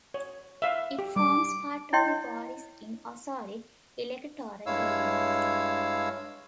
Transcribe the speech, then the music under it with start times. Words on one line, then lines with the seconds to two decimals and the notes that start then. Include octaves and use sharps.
It forms part of the Borris-in-Ossory electoral area.
0.14 C#5
0.62 E5 F5
0.99 G4
1.16 G3 D6
1.93 E4 C#5 D#5 G5 C6
4.66 G2 G#3 E4 C#5 F5 E6